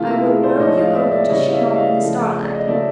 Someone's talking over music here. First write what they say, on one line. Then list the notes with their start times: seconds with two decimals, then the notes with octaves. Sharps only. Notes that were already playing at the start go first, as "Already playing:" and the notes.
"I will row you over to Chillon in the starlight."
Already playing: C3 E3 A3 F4
0.08 E4
0.25 G#4 A#4
0.42 C5 D5
0.59 A2 F3 G#3 C#5 D#5
0.77 D#5 F5
0.94 D5 E5
1.11 D5 E5
1.29 C#3 E3 G3 C#5 D#5
1.47 F5
1.52 D5 E5
1.75 D#5 F5
1.99 C#3 F3 A3
2.43 D5
2.55 D#5
2.67 C#3 F#3 A3 D5 E5